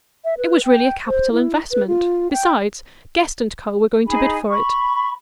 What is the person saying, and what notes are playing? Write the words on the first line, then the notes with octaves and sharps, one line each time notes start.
It was really a capital investment; besides, Guest &Co. were going to bid for it.
E5
B4
G5
C5
E4
B4
F4
G5
D#4 G#4 G#5 B5
B5 C#6